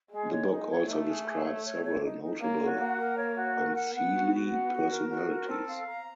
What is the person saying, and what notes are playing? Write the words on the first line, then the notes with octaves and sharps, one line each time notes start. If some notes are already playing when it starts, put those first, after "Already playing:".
The book also describes several notable Unseelie personalities.
G#3 G#4
C#5
D#4
C#5
A3 D#4
G#4
G#4
C#5
C#5
C#5
D#4
D#4
A#3 C#5
F#4
A#3 F#5
A#4
C#5
F#4
A#4
F#5
B3 F#5
F#4
F#4
F#5
F#4
A#4
F#4
A#4
C4 A4
F5
A#5